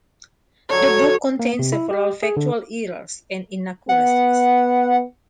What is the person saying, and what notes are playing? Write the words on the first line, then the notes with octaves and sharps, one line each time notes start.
The book contains several factual errors and inaccuracies.
D3 F#3 C#5
A#3
C3
E4
G4
G#4
D3
B3 F#5